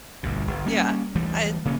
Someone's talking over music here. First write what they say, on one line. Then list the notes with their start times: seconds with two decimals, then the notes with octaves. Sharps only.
Yeah. I'd
0.23 G1 D2 B2
0.47 G1
0.66 G3 A#3 C#4
1.15 D2 E3 G3 A3
1.65 C#3 A#3 C#4